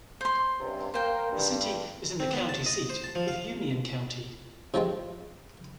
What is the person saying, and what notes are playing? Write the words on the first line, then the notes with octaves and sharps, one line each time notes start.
The city is the county seat of Union County.
C5 C6
C#2 G2 C3
A#3 A#4 C5 G5
G2
C4
B3
A5
D#5
C5
A5
F3
F5
C3 F3 G#3 C4